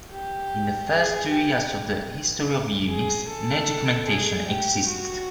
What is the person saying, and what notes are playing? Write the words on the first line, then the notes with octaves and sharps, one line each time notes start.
In the first two years of the history of Unix, no documentation existed.
G4
G#4
G4
G#4
A4
G#4
G4
F#4